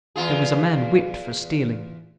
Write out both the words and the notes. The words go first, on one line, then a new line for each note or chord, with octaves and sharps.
Their was a man Whiped for Stealing.
E2 F4 G#4